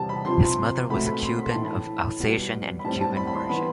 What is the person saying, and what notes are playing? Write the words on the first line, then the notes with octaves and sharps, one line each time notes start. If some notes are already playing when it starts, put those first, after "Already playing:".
His mother was a Cuban of Alsatian and Cuban origin.
Already playing: E2 C3 G3 C4 A5
B5
C3 F3 C4 C6
B2 A3 C4 B5
B5
C6
B5
A2 E3 A3 A5
B5
B2 G3 B3
B5
A2 G3 C4 A5
A5
B5
B5
C6
E3 B3 B5